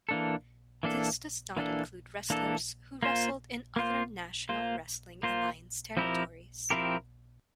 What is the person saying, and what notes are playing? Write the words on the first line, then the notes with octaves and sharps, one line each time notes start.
This does not include wrestlers who wrestled in other National Wrestling Alliance territories.
E3 A#3 D4 A4
E3 A#3 D4 A4
E3 A#3 D4 A4
E3 A#3 D4 A4
A#3 F4 C5
A#3 F4 C5
A#3 F4 C5
A#3 F4 C5
F3 C4 E4 G4 A#4
F3 C4 E4 G4 A#4